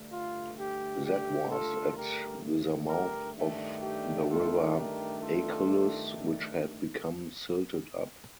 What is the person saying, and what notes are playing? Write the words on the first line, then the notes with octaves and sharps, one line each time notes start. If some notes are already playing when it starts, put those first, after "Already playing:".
That was at the mouth of the river Achelous, which had become silted up.
Already playing: G2 D3 A3
F4
G4
G4
F4 A4
G4 A#4
G4 A#4
G2 D#3 A3 D4
G4
F4 A4
G4 A#4
F4 A4